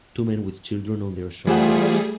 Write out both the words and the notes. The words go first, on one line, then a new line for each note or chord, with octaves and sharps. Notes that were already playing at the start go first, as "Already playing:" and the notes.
Two men with children on their shoulders.
E3 G3 A3 F4 G#4 C5 F#5